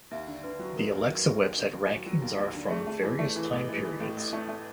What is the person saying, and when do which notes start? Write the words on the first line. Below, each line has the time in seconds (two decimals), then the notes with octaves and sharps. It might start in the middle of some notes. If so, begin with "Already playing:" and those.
The Alexa website rankings are from various time periods.
0.11 D#2 E5
0.27 D3
0.43 D3 B4
0.59 F#3
0.76 D#2 A#4
0.92 D#2
1.09 F#3
1.25 F#3
1.40 D#2
1.58 D3
1.73 D#2
1.90 F#3
2.06 F#3
2.22 D#2
2.39 D#2
2.55 D3
2.70 A3 G#4
2.87 A3
3.03 E3
3.19 A3
3.36 E3
3.52 A1
3.68 E3
3.84 E3
4.00 A2 A4
4.17 A1
4.33 A3
4.48 A3